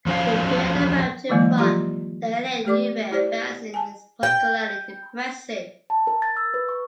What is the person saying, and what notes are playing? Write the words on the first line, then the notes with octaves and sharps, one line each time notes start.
The view of the mountain from the L'A-Neuve basin is particularly impressive.
F3 F#3 C#4 C5 F5
D3 E3 F#3 G#3 A#3 E4
F3 F#3 F4 G4 A#5 C6
A3 G4 D5 D6
E4 G4 C5 D5
G#5 A5
G5
A5
A#4
A6
E6
B4
C#6